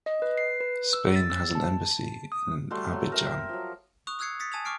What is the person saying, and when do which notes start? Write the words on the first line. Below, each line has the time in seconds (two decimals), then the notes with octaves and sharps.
Spain has an embassy in Abidjan.
0.06 D#5
0.22 B4
0.38 C7
0.60 B4
0.93 E6
1.16 A6
1.30 E6
1.55 A5
2.32 D#6
2.70 G3 A3 F#4 C6
2.93 F#3
3.12 A#4 E5 G5
3.49 F3 F#3
4.07 C#6 D#6 F#6 F7
4.19 D#6 E6 F#6 G#6 C7 C#7
4.40 D#6 A6 B6 C#7
4.52 G#5 A5 D#6 G#6 F7
4.65 C#6 D6 F6 C7 D7